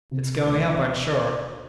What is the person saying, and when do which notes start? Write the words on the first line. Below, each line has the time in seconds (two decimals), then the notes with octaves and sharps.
"It's going up; I'm sure."
0.11 C3
0.45 D2